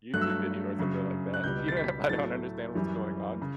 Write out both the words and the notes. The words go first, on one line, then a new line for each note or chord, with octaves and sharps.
YouTube video or something like that, even if I don't understand what's going on,
G2 F#3 A3 F#6
E6
F#6
F#2 C#3 F#3
F#6
C#2 B2 G3 G6
A6
B6
A2 F#3 A3 A6
F#2 E3 G3
C#3